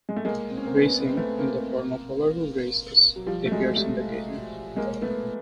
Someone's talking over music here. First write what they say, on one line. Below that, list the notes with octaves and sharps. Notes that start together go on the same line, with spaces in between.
Racing, in the form of hoverboard races, appears in the game.
G#3
A3
G#3 A#3
C4
C#4
A#3 C4
B3 C#4
B3
C4
A3 B3
A#3 C4
F#3
F3 G3
A3
F#3 G#3
G3 A3
G#3 A#3
A3 B3